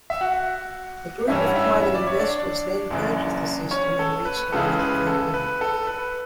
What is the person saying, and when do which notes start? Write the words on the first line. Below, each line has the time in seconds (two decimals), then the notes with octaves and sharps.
A group of private investors then purchased the system and restarted the company.
0.10 E5
0.21 F#4 F#5
1.28 G2 E3 G3 C#4 E4 E5
1.46 F#5
1.55 E4 E5
1.83 E5
1.95 D5
2.07 C#5
2.19 D4 D5
2.90 F#1 F#2 E3
3.71 C#4 C#5
3.99 A4
4.25 B4
4.52 C#2 C#3 E3 A4
4.79 B4
5.07 A4
5.34 B4
5.61 A4
5.87 B4